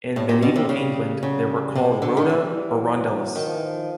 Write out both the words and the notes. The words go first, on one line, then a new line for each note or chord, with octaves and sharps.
In medieval England, they were called rota or rondellus.
A2 G3
A#2
B2
C3
C#3
G3
C#3 F#3
G3
C3
G#3
D3 G3
D#3 G3
E3 F#3
G3
G3
F#3
D#3 F#3
F3
E3
F3